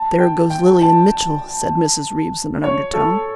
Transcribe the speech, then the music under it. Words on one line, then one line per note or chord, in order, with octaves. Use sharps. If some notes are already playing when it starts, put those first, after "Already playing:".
"There goes Lilian Mitchell," said Mrs. Reeves in an undertone.
Already playing: A5
G5
G5
A5
C#5
A4